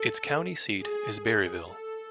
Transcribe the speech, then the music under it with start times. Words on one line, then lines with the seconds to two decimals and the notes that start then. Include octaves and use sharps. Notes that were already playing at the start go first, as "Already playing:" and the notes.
Its county seat is Berryville.
Already playing: A4
0.82 G#4
1.27 G#4
1.70 A4